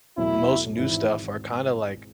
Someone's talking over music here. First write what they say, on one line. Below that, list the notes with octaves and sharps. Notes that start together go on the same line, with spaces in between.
most new stuff are kinda, like
E2 B2 F#3 A3 E4
G#1 G#2 E3 E4